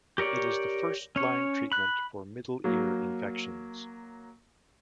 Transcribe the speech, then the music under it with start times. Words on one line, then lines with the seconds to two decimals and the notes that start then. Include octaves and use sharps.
It is the first line treatment for middle ear infections.
0.18 G4 A#4 C#5 D5
1.16 C#4 C#5
1.72 B5 F#6
2.64 F#3 A#3